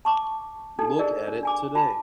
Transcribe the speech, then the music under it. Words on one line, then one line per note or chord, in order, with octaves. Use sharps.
Look at it today.
A5 C#6 D6
D4 D#4 A4
G#4 A#4 D5 D#5
D4
D4 G#5 D6
F4 A5